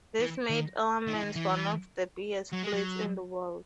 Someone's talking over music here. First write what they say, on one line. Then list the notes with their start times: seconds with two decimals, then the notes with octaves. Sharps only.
This made Ellerman's one of the biggest fleets in the World.
0.20 E3
0.50 D#3
1.07 D#3
1.14 E3
1.23 D#3
1.36 E3
2.52 F#3
2.63 G#3
2.73 F#3